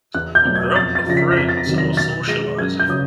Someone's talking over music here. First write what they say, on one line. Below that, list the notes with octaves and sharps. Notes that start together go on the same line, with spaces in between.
A group of friends are socializing.
E2 F#6
G6
B2 F#3 A3
G#6
F2 A6
A6
C#3 F3 A#6
B6
A#6
F2 B6
A6
A#6
C3 D#3 F#3
A#6
B2 A6
G#3 A#6
F#2 G#6
G6
C#3 F#3 D#6